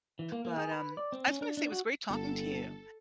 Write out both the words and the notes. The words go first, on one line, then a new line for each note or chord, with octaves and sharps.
But, um, I just wanna say it was great talking to you,
E3
A#3
A#3
G#4
B4
D5
C4
C#4
D4
D4
F#4
G1 A4